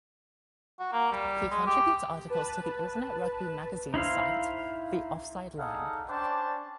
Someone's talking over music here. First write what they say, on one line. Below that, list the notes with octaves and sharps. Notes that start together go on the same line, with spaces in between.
He contributes articles to the internet rugby magazine site "The Offside Line".
F#4
A#3
G3
G#3
G4
B4 A5
D#4 E4 C5 F5
G3 D#4 G#4 A4 F5 F#5
C#4 D4 C5 D5 G5 A5